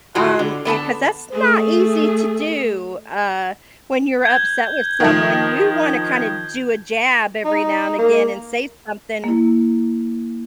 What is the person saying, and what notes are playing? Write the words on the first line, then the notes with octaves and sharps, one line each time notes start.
um, eh, 'cause that's not easy to do, uh, when you're upset with someone, you wanna kinda do a jab every now and again and say something, f
A2 D3 G#3 F4 F#4
D3
D3 B3 A4 A5
A3 G#4
G6 G#6 G7
D#3 F3
D#4
A#3
A#3 E4